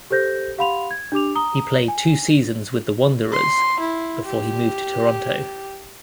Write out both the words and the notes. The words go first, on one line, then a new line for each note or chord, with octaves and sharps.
He played two seasons with the Wanderers before he moved to Toronto.
G4 A4 C5 G6 A#6
G4 F5 F#5 B5 C6 F7
G#6
D4 G4 D6 F7
A#5 D#6 G7
G#5
C6
E4
G4